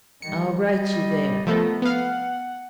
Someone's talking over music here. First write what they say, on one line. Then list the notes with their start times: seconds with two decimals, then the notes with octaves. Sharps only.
"I'll write you there."
0.22 D#3 G3 C#7
0.63 G3 D#5
1.47 F3 A3 B3 A4 A#4
1.82 B3 F5 F#5